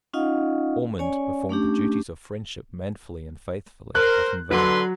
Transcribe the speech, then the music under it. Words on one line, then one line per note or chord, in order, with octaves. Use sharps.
Ormond performed the duties of friendship manfully and faithfully, but in vain.
C#4 D#4 F4 D#5 F5 F#5
C#4 C#5 D5 G#5
A3 C#4 D4 G4
A#4 C5 F#6
D3 F#3 B4 C6